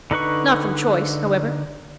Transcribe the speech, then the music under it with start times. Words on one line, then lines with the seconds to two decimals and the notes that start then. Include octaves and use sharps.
Not from choice, however.
0.11 D3 D#4 B4 C#6